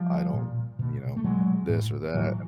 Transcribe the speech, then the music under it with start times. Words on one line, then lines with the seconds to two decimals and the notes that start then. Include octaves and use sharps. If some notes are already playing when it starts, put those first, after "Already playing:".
I don't you know, this or that."
Already playing: F3 G3
0.33 A#2
0.79 B2
1.16 A3
1.24 B2 F#3 G#3
1.69 A2
2.14 A2 E3 F#3